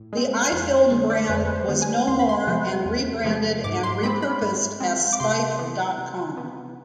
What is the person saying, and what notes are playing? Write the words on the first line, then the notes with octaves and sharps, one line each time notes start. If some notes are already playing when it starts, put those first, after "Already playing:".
The iFilm brand was no more and re-branded and re-purposed as Spike dot com.
Already playing: A2
G#3 C4
F2
D3 G#3 B3
D5
C5
F2 B4
C5
D3 G#3 B3
G#5
E2 C6
B5
C6
C3 F3 G#3 B3
E2
C3 F3 G#3 B3
G#2 D6
C6
G#3 C4 B5
B5
G#2
G#3 C4
D6
C3 C6
E3 B3
C3
E3 B3